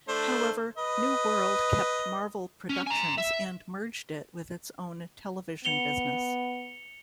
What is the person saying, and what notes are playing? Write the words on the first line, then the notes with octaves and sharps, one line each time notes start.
However, New World kept Marvel Productions and merged it with its own television business.
A3 D4 C5
B4 D#5
C#4
G#5 A#5
E5
B3 C#7 F7 G7